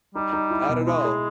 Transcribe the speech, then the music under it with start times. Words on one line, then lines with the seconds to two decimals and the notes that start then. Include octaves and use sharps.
Not at all.
0.15 G3 D#4
0.33 D#4
0.51 E4
0.69 B2
0.86 G#3 E4
1.04 G#4